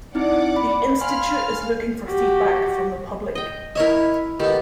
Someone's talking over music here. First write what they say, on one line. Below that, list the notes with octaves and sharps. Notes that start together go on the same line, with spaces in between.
The institute is looking for feedback from the public.
C4 D#4 E4 D5 F#5 D6
B5
F5 G#5 B5 C6 F6
F#4 G4
D#5 G5
E4 A#4 C#5 D#5 E5
D#3 B3 G4 A4